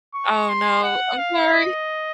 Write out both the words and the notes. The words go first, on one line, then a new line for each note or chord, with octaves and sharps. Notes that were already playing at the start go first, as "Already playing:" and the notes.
Oh, no, I'm sorry,
C#6
C6
F#5
F5
D#5